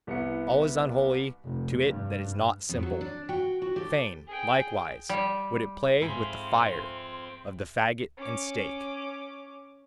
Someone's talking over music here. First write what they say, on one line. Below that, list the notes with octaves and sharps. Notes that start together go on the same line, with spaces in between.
All is unholy to it that is not simple; fain, likewise, would it play with the fire--of the fagot and stake.
C2 B3 E4 C#7
F1
G2
F2 B3
F#3
D4
F#4 G5
F#4
G4 A4
G#4 G5
G3
G#2 C4 F4 G#4 E5 B5 C6
C#4 D6